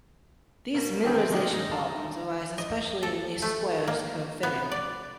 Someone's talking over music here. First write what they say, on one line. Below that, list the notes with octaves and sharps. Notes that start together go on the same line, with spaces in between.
These minimization problems arise especially in least squares curve fitting.
B2 A#3
A1 D#3 C4 G#4 G5
C3 F3 G#3 D4 D#4 G4
G#2 D#4
F5 A5 A#5
D#5
A4
A3
A#3
B3
D5